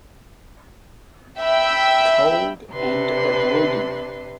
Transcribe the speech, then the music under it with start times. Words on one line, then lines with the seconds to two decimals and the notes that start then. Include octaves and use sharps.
Cold and avoiding.
1.41 E5 G5 B5 E6
2.71 C3 D4 B4 C6